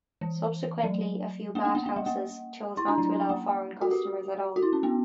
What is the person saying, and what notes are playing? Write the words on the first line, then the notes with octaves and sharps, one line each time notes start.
Subsequently, a few bath houses chose not to allow foreign customers at all.
E3
F#3
A#3
B3
A#3
A#3
G3
A#3
E4
D4
F#3
A#3
F#4
G4
F#4
E4
C#4
B3